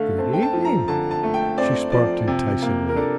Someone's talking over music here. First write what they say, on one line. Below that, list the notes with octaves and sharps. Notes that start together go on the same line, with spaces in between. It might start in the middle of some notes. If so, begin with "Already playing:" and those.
"Good evening," she sparked enticingly.
Already playing: D3 A3 F5
C4 A5
G5
A5
F3
A#5
D3 A5
A5
A3
G5
C4 D5
F3 D5
C3
A#3
A#4
D4 A4